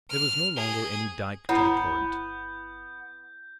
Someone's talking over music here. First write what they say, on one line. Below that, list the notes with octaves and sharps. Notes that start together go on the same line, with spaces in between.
There was no longer any dike to the torrent.
F6
G#4
G1 B3 E4 C#5 F#5 G6